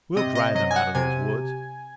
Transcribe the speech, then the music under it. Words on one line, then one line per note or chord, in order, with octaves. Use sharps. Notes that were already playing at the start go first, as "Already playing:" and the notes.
"We'll drive them out of those woods."
C3 D#5
D#5
F#3 D#5
G#5
F#5
C3 G#5